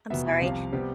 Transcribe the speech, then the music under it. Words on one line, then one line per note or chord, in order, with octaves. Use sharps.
I'm sorry,
F1 E2 B2 B3 E5
C2 C3 F3 F5
C3 G3 B3 G4